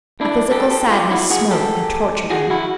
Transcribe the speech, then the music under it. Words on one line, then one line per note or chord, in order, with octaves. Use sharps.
A physical sadness smote and tortured him.
D4 E4
G4 A4
G4 A4
F4 G4
E4 F#4
F#4 G#4
G4 A4
F#4 G#4
E4 F#4